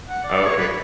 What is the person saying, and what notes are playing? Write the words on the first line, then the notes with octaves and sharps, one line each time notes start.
Oh, okay.
F#5
D5
D5
C#5
B4